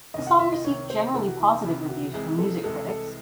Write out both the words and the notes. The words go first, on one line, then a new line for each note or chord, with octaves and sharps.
The song received generally positive reviews from music critics.
C2 C3 D#3 D#5
F#5
E5
D#5
C2 C3 D#3 C#5
C5
C2 C3 E3 A4
F#4
E4
D#4
C2 C3 E3 E4
F#4
C2 C3 E3 G#3 G#4
A4
C2 C3 E3 G#3 A4
A4